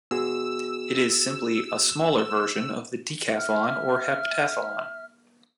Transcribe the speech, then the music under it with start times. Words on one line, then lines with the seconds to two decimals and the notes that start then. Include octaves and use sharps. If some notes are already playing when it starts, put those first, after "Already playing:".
It is simply a smaller version of the decathlon or a heptathlon.
0.11 B3 F#4 G#4 E6
3.36 E5 F6